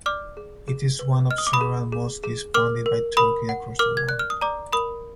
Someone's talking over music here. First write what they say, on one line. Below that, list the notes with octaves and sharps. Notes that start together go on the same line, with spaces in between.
It is one of several mosques funded by Turkey across the world.
D5 D6 F6
G#4
G#4
B4
D#5 F6
D#6
D6
B5 D#6
G#4
G#4
G#4
A#4 D6 F6
A#4
A#4 B5 D#6
F#5
A#4 D6 F6
G#6
D5 F#6
F6
D#6
D5 A#5 D6
A#4 B5 D#6